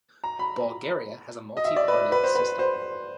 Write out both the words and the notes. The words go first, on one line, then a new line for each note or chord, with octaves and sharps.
Bulgaria has a multi-party system.
A#5
B5
D#5
E5
D5
B4
B4
C5
B4
C5